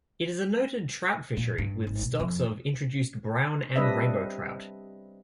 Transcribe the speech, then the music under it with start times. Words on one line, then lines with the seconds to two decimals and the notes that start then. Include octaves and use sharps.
It is a noted trout fishery with stocks of introduced brown and rainbow trout.
1.37 A#2
1.58 G2
1.87 G#1
2.02 B2
2.20 F2
3.76 G3 C4 D4 B4 D#5 E5